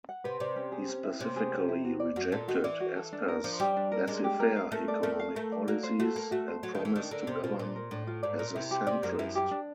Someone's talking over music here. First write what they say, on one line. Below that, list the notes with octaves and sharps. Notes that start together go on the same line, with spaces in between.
He specifically rejected Asper's laissez-faire economic policies, and promised to govern as a centrist.
F#5
C3 B4
C3 D5
C#4
G#4
C#4
E4
C3 C#4
G#4
C#4
E4
F#4
D5
F#2 F#4
A#2 A4
D#3 F#4
E3 D5
F#4
A4
D4
A#4
F3 D4
G3 G4
D4
A#4
G#3 D4
G4
A#4
F5
A3 A#4
D5
A3 A#4
F5
A3 A#4
D5
A#3 F#4
C5
A3 F#4
A#3 A4
A3 F#4
C5
F#3 F#4
D#3
E3 A4
D#3 D4
D3 A#4
C3 D4
B2 F4
A#2 D4
A#4
A2 D4
F4
G#2 D5
A#2 A#4
C3 E4
G4
C3 D5
F#2 A#4
F#2 E4
G4
D4